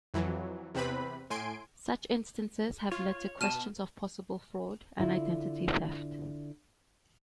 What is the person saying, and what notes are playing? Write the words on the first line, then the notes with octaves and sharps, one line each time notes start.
Such instances have led to questions of possible fraud and identity theft.
F2 E3 F#3
E2 C3 C4 B4 B5
A2 G#5 C6 D7
F4 C#5
B2 A5 F6 D#7 E7
D3 E4 F4